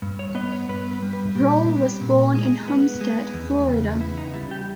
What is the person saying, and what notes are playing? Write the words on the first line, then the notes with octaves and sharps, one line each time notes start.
Rolle was born in Homestead, Florida.
G2
C#5
B3 D#5
C#5
G2 B4
B4
G3
B4
A#2 G4
B3
A#2
G#3
B3
G#3
E2
C#3
B3 E4
D#4
G3 E4
G4